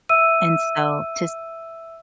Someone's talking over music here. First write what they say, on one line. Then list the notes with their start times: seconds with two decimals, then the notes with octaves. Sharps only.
And so to
0.09 E5 E6 D#7